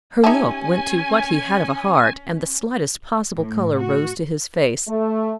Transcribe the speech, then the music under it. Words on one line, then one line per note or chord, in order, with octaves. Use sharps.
Her look went to what he had of a heart, and the slightest possible color rose to his face.
C#4 D#4 G4 E5 G#5 A5
A2
F#4
A3